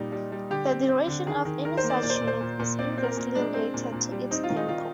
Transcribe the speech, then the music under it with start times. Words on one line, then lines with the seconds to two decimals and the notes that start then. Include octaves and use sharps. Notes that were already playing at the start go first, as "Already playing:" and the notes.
The duration of any such unit is inversely related to its tempo.
Already playing: A#2 G3 D#4
0.12 G3
0.32 G3
0.50 D3 G4
0.69 C4
0.88 C4
1.07 D3
1.27 D#3 G#4
1.45 D#3
1.65 D#3 A#4
1.77 C5
1.84 A#3
1.90 D5
2.03 A#2 D5
2.10 C5
2.15 D5
2.21 A#2
2.27 C5
2.41 A#2
2.59 A#2
2.79 C4 D5
2.98 C4
3.03 A#4
3.17 A#2
3.35 G#3 D4
3.54 C4
3.74 A#2
3.92 A#2
4.12 G3
4.31 C4 D#4
4.44 F4
4.49 D#3
4.56 D#4
4.68 D#3 F4